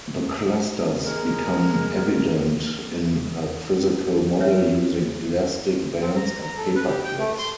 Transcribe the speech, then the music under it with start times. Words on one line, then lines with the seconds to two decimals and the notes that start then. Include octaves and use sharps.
The clusters become evident in a physical model using elastic bands and paper clips.
1.02 G#3 A#4
4.40 A#4 B4 C#5 E5
6.02 C4
6.16 A#5
6.44 A#5
6.57 A4
6.76 B4
6.87 G4
7.04 G5
7.19 A3
7.38 C6